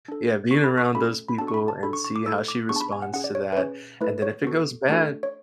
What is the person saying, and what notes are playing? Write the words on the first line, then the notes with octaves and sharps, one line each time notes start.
yeah, being around those people and see how she responds to that, and then if it goes bad
D4 A4
B3 E4 A4 C#6
B5
C#6
A3 C#4 F#4 A4 B5
B5
B3 D4 F#4 A4 A5
C#6
B5
A5
D4 F#4 A4 B5
C#6
C#6
D6
A3 E4 A4 E6
D6
B3 D4 G#4 C#6
A5
B5
G#5
F#5
C#4 G#4 F#5
D5
C#5
B4
C#4 G#4 C#5
A3 E4 A4 B4
C#5
B3 F#4 A4
A3 D4 F#4 A4
C#5